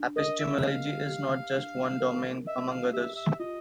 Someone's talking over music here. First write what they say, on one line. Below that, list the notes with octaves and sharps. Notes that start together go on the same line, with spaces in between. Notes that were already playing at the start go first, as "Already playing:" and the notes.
Epistemology is not just one domain among others.
Already playing: D4
A#4 D#5
E5
D#5 F5
G4
D4
A#4
D#5 E5
F5
G4 E5
E5
F4 D#5